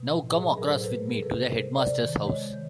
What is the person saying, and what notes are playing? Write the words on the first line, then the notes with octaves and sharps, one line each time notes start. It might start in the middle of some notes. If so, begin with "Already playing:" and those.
Now come across with me to the headmaster's house.
Already playing: B2
A2
G#4
F#3
G#4 A#4
A2 A#4 C5
A4 B4
A3
G#4 A#4
C3 A4 B4
C3 A#4 C5
C3 C5 D5
D#3
G#3 C#5 D#5
D#3